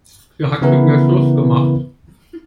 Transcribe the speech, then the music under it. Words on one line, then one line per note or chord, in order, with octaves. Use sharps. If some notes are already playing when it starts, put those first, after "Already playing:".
Sie hat mit mir Schluss gemacht.
C#3 E3 B3 E4 A#4 B4